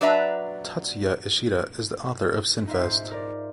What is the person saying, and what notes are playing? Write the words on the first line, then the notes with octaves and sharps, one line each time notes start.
Tatsuya Ishida is the author of "Sinfest".
F#3 D4 B4 D5 E5 A#5
D#4 F4 E5
G#2 C5
A#4 D5